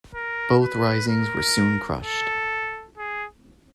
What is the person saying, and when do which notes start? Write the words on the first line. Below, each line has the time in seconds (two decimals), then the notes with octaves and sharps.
Both risings were soon crushed.
0.15 A#4
0.62 B4
1.09 A#4
2.03 A4
2.97 G#4